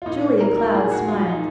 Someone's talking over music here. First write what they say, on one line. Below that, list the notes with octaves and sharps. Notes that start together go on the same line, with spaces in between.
Julia Cloud smiled.
F4
A#2 D#4
F#3 A#4
A#4
A#2 G#4
F#4
F#3 F4
D#4